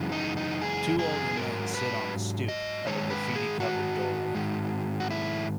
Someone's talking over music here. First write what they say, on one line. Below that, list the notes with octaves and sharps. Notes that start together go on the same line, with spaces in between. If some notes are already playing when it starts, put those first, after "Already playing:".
Two older men sit on the stoop of a graffiti covered doorway.
Already playing: F#2 C#3 E3 G#3
D#4
D#4
G#4
G#4
G#2 F#3 A#4
B4
D#5
G#2 D#3 G#3 C#5
B4
G#4
F#4
G#2 D#3 G#3
F#4
E4